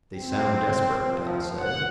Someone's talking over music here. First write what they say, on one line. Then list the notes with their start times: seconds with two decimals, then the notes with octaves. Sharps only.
"They sound desperate," Dal said.
0.15 C4
1.02 F3
1.58 F#5